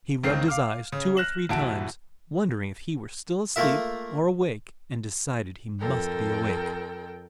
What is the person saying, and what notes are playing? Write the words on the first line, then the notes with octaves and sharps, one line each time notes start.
He rubbed his eyes two or three times, wondering if he were still asleep or awake and decided he must be awake.
C#2 D#3 C4 C7
F5 D6 F6
C#3
F6 F#6 A#6 E7 F#7
D#1 E3 E4 F#4 A5 D7
A3 A#3 F4 A#4 E5
F2 A4 A#4 G5